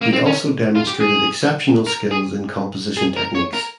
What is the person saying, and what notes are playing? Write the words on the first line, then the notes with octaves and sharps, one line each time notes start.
He also demonstrated exceptional skills in composition techniques.
A#3
C4
C#4
F4
G4
G#4
A#4
G#4
G#4
A#4
C#5
A#4